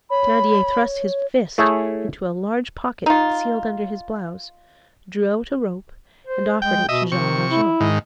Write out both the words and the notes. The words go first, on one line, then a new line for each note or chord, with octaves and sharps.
Thenardier thrust his fist into a large pocket concealed under his blouse, drew out a rope and offered it to Jean Valjean.
C#5 B5
A3 E4 G#4 A4 C#5
D#4 F4
C5
G#3 G5
B2 D#5 E5
C3 D#3 C#6
E4
G#2 D#3